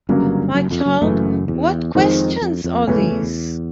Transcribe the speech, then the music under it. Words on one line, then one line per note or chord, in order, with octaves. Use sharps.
My child, what questions are these!
G1 G2 C#3 F#3 A#3
F#1 F#2
F2
F#1 F#2
F#1 F#2 C#3 E3 A3
E2
F2 D#3 G#3 C4 D#4
F2
F2
E2 C#3 E3 A3 C#4
F2
E2
E2